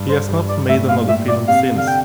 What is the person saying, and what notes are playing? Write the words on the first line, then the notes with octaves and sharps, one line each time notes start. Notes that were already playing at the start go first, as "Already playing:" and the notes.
He has not made another film since.
Already playing: G2
C5
G2
D5
A2 E5
A#2 F5
A2 E5
A#2 D5
C3 F5
D3 F5
G5